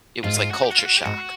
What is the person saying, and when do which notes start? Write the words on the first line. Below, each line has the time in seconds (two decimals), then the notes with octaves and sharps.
it was, like, culture shock.
0.24 G#2 F4
0.37 F4
0.51 F#4
0.64 G4
0.72 F#4
0.79 F4
0.86 F#4
0.98 G4
1.05 G#2 F#4